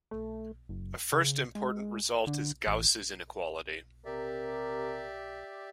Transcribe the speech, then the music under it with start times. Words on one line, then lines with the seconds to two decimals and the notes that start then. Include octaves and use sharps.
A first important result is Gauss's inequality.
0.11 A3
0.69 F#1
1.13 C#3
1.55 G#3
2.27 D3
2.67 A1
4.05 C3 G4 A#4 D5 E5